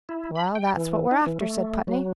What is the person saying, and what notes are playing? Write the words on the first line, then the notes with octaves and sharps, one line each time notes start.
"Well, that's what we're after," said Putney.
E4
B5
G5
E3
D#4
E3
A3
F#3